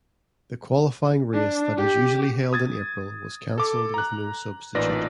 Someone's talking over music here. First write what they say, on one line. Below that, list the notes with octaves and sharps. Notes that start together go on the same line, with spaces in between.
The qualifying race that is usually held in April was cancelled with no substitute.
D4
G4
D#6 G#6 A6
A4 D6
A#5 F#6
A1 A#2 D#4 B4 D5 A#6